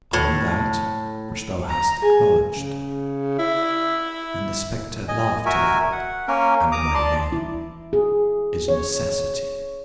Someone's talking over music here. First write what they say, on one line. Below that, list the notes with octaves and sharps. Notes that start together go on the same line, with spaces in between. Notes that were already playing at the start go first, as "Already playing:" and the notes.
'I am That which thou hast acknowledged'; and the spectre laughed aloud--'and my name is NECESSITY.'
A2
A#5
G#4 G#5
C#3
E4
D#5 G#5
F#4 A#4 E5 G#5
F#5
A#3 C#4 A#4
A#5 D6 D#6
D5 A5 C6
E4
G#4
C#5